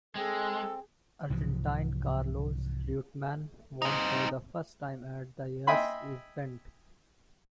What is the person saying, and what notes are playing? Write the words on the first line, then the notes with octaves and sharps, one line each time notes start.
Argentine Carlos Reutemann won for the first time at that year's event.
G#3 C4 G#4 A4
C2 G#2 E3 F3
C4 D#4
D#5 E5 G5 G#5 B5 C6